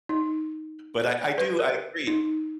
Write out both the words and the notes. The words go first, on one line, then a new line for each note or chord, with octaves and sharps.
But I I do I agree.
D#4
B4
A#4
D#4